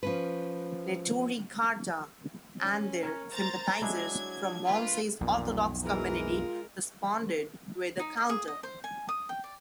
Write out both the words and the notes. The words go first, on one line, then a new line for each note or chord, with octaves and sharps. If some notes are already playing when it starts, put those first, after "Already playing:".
Neturei Karta and their sympathisers from Monsey's Orthodox community responded with a counter protest.
F3 C#4 B4
C#4
A#4 C#5
C5 A#5 A6
F#3 G#3 D4 E4 G#6
F4 B4
B1 F2 A#2
E3 G#3 A#4 A#5
F4
D#4
D#5
G#4
D#5
C5
G#5
D#6
G5
D5